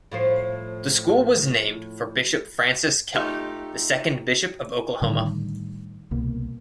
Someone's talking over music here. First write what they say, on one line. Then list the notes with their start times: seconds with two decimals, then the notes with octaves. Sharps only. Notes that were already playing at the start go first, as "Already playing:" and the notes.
The school was named for Bishop Francis Kelley, the second bishop of Oklahoma.
0.12 A2 F3 C5
3.14 A3 D#4 F4 G4
5.02 A2 D3 D#3 G3
6.11 C2 B2 A#3